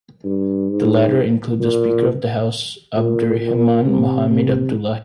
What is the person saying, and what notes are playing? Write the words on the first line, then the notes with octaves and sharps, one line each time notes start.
The latter include the Speaker of the House, Abdirahman Mohamed Abdullahi.
G2
G#2
A#2
A#2
A#2
C3
C3